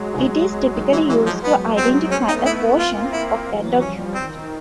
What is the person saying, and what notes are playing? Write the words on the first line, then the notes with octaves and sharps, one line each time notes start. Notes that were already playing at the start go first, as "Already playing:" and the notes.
It is typically used to identify a portion of that document.
Already playing: F#3 G#3
D#3
E3
E3
F3
F#3 G#3 B3
C4
A3 B3 C#4
D#4
E4
A#3 C4 F4
E4
E3 F#3
F3 G3 C#4
D#3 C4